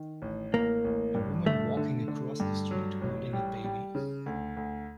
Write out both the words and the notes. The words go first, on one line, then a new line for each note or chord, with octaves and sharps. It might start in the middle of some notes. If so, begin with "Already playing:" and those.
A woman walking across the street holding a baby.
Already playing: D#3
A1
A1 A#3
A1
G2
D3 A3
D3
D3
G2
F#3
A1
G3
G3
C#3
D2
D2